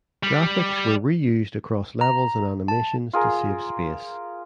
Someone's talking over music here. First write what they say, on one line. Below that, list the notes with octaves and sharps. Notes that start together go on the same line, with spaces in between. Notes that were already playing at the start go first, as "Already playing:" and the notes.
Graphics were reused across levels and animations to save space.
G3
A#5
A5
F4 G#4 A#4